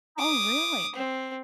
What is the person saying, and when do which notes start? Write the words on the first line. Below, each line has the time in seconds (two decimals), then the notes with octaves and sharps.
Oh, really?
0.19 D6 D#6
0.96 C4